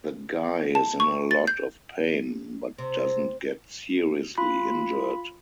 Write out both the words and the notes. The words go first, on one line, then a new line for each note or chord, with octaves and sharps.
The guy is in a lot of pain but doesn’t get seriously injured.
A5
C#6
A6
G6
C3
F4 B5